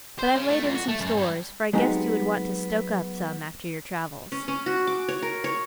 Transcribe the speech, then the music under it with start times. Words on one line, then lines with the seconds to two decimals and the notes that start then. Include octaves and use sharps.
But I laid in some stores, for I guessed you would want to stoke up some after your travels.'
0.19 C5
0.35 C#3
0.49 A3
0.63 F2
0.75 F#4
0.88 A3
1.01 F#2
1.16 G2
1.73 F#3 G#3 B3 C4 D#4 G4
4.32 C#4
4.48 C#4
4.66 F#4
4.87 D6
5.08 C#5
5.22 A#4
5.44 C#5